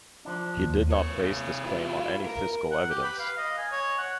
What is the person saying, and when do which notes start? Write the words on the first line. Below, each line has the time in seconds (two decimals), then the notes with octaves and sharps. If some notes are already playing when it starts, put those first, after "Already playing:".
He did not base this claim on any physical evidence.
0.25 F3 D4
0.57 D#2
0.91 C3 C#5
1.65 E4 F4
2.25 A#4
2.71 F#5
2.91 G4
3.04 B4
3.19 F5
3.37 D#5
3.58 G#5
3.72 C#5
3.98 F#5